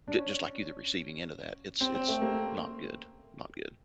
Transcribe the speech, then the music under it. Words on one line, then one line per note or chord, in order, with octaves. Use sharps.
ju just like you, the receiving end of that, it's it's not good, not good.
D4
C#4
C4
C4
A3
A#3